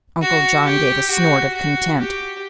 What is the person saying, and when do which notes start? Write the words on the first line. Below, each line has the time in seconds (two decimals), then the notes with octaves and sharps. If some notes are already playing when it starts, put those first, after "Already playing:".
Uncle John gave a snort of contempt.
0.22 F#4
0.65 G4
1.10 F#4
1.54 F#4
1.99 G4